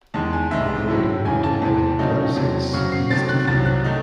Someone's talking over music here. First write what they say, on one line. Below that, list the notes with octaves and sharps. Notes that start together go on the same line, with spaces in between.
Operating on dynamic data sets is difficult.
E2 D#3 G#3 A5
G#5
C2 C3 D#3 G#3 E5
A2 F#3 C#4 E4
F#2 C#3 E3 G#5
A5
E2 C3 E3 C4
C#3 F#3 A3 D#4
E2 C3 F#3 C4
F#2 C#3 F#3 C#6
C7
C3 D#3 F#3 A3 C4 A6
F#6
C2 C3 F#3 A6
F#6
D#3 A3 D#4